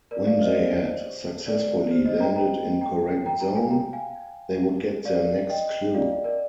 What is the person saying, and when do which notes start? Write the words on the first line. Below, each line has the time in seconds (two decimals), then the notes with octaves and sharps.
When they had successfully landed in correct zone, they would get their next clue.
0.11 A#4 D5
0.27 D5 F5
0.41 C5 D#5
0.56 C5
1.47 A#4 D5
1.91 C5
2.05 C5 D#5
2.20 G5 A#5
2.36 G5 A#5
2.81 G5 A#5
3.26 G5 A#5
3.40 G5 A#5
3.55 F5 G#5
3.70 G5 A#5
3.93 F5 G#5
5.05 D5 F5
5.50 D#5 G5
5.94 D5 F5
6.24 A#4 D5